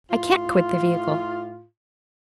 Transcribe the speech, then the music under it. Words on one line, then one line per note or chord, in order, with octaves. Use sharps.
"I can't quit the vehicle."
A2 F4